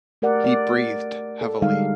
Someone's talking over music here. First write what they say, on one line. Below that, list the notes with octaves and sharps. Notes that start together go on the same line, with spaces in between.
He breathed heavily.
A3 G4 A#4 D5 F#5
D5
A4
D3 G3 G#3 D#4 F5